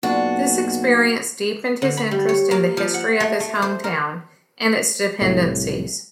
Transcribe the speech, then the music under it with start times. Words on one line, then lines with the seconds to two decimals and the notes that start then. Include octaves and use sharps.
This experience deepened his interest in the history of his hometown and its dependencies.
0.03 B1 A#3 D4 F4 F#4
1.82 D3
1.97 B5
2.11 G3
2.29 C#5
2.51 A#3
2.77 F3
2.94 F#5
3.20 A3
3.40 A3
3.62 C5
3.84 A#4
5.22 C2 A2